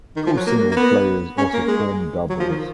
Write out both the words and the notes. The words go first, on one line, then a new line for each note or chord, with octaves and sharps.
Two single players also form doubles.
D#3
F3
F#3
A#3
A#3
B3
C#4
A#3
G#3
F#3
F3
D#3